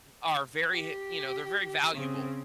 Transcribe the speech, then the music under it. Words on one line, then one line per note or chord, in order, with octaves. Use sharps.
mm are very he you know, they're very valuable.
G4
C#3 C4